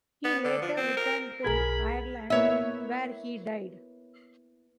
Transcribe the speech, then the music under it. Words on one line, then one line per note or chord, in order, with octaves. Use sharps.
He later returned to Ireland where he died.
B3
D3
F3
C4
A#4
B1 G#4 A#4 B5 G#6
A#3 B3 E4 C#5 E5